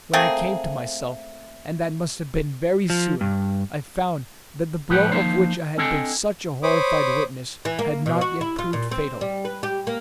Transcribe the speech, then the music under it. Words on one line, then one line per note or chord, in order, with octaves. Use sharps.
When I came to myself, and that must have been very soon, I found that the blow of which I had been such a horrified witness had not yet proved fatal.
A3 A#3 C4 G#4
F3
G2
A2 F3 G3 B4 F#5 G5
F3 A#3 D#4 C5
C4 D4 A4 D#5 G5 G#5
C5 C#5 B5 D6 D#6
E3
A#3
B2
F#4
E4
F4
A#2
C4
G3
B4
G4
A#3